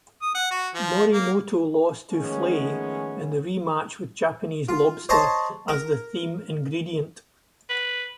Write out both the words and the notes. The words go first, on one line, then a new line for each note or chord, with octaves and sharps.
Morimoto lost to Flay in the re-match with Japanese lobster as the theme ingredient.
D#6
F#5
F#4
F3
A#3
D#3 F3 G#3 A3 B3 C#4
F4
C5 C#5 D#5 A5 A#5 C6
A#4
B4